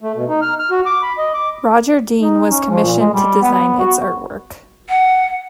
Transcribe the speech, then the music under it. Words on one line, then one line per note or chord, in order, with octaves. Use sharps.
Roger Dean was commissioned to design its artwork.
A3
B2
D#4
F6
F6
F#4
D6
B5
D#5
D6
D#4
C#4
F3
A#2
G#3
G3
B3
F#4
F#5